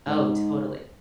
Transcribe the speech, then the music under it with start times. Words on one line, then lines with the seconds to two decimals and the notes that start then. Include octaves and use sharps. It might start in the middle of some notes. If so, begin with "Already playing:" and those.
Oh, totally.
0.07 G#2